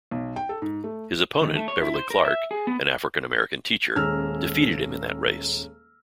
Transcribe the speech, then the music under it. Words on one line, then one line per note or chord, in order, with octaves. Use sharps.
His opponent Beverly Clark, an African-American teacher, defeated him in that race.
B1
G5
A4
G#2
A3
D#3
A3
C#5
E4
C5
A#4
E5
G#4
B3
D#1 G#3 C#4 A#5 E6 F6